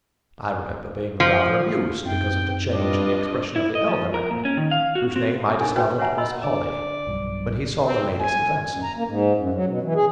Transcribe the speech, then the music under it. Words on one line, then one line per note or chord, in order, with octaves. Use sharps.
I remember being rather amused because of the change in the expression of the elder man, whose name I discovered was Holly, when he saw the ladies advancing.
F3
F#2 C4 D#4 G5
G2 D4 F4 D#5 D6
E4
D#5
F3
A#4
A#2
C#4
D#3
F5
F#4
C4
D4 D#4 G#4 A#4 G#5
F#4 B4 C#5 G5
B4 C#5 E5 F#5 G#5 A#5
D#5 B5 C6 E6
D3 D5
B1 G2 F3
C4
G#5
F#2
A#5
A#3
G#2
F#2
F#3
B2
E3
G#4